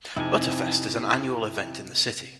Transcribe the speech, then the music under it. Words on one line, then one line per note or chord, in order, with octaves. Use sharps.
Butterfest is an annual event in the city.
F2 C3 D#4 E4 G#5